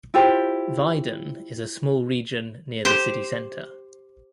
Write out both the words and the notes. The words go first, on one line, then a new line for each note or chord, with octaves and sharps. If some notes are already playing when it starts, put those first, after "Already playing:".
Wieden is a small region near the city centre.
E4 F4 G4 C5
G4 C5